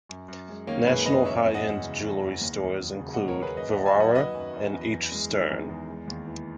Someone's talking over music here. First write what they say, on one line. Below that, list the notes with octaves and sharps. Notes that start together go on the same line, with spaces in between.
National high end jewelry stores include Vivara and H Stern.
F#2
F#2
G#3
D#3 A#3 C#4
F#2 G#4 B4
F#2 B4 D#5
E2 C#5 E5
E2
D#5 F#5
G#3
C#3
E2
E2
D#2
D#2
F#3
C#3
D#2 D#5 F#5
A#4 C#5
D#2 G#4 B4
F#2 B4 D#5
D#5 F#5
F#2
E5 G#5
F#3 D#5 F#5
D#3 B4 D#5
F#2
F#2
E2
E2
G#3
D#3
E2
E2
G#3
D#2
E3